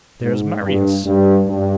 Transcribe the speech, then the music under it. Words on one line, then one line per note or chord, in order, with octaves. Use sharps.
"There's Marius."
G#2
G2
G2
G2